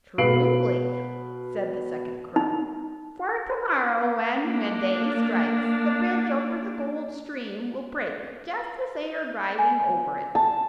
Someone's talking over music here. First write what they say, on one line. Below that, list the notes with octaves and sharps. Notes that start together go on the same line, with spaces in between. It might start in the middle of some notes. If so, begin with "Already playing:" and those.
'Truly,' said the second crow; 'for to-morrow, when midday strikes, the bridge over the Gold Stream will break just as they are driving over it.
B2 B4 F5 C7 D7 F#7
D#4
A#3 D4
G#5
A5